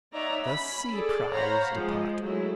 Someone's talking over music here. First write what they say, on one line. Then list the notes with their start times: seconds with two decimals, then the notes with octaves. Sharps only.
"The Sea Prize Department."
0.13 D#4 C#5 D5 E5 F#5 A#5
0.45 C#4 B5
0.91 G#4 A4 D5
1.33 C5 C#5 F5 F#5 A#5 B5
1.73 F3 G#3
2.21 F#3 G#3 A3 E4